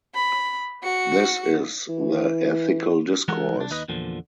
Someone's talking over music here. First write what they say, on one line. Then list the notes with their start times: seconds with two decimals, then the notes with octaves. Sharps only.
This is the ethical discourse.
0.14 B5
0.84 F#4 C#7
1.89 E3
3.28 E3 G#3 A4 A#4 F#5
3.56 C2 D4
3.70 D#2 D#4 B4 D#5
3.88 E2 A#2 D3 F3